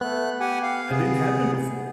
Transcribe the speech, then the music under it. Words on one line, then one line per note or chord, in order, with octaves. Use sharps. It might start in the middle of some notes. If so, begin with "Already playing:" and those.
that didn't happen before,
A3 B3 F#6
G4 F#5 G#5
F5
C3 B3 G#4